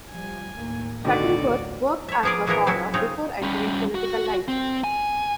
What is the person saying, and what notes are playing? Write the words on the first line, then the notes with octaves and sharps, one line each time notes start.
Shuttleworth worked as a farmer before entering political life.
F3 G3 G#5
D#2 A2 A#3
A1 D2 B2 D3 D#3 F#4 D5
C#5 E5
F3 B3 G#4 A#4 D5
A#2 E3 G#3 A#3 B3 A#4
C#3 F#3 C4 C#4 E4
C#3 C4 D#4 F4 C#5
G3 C#4
F#4
C4
G#5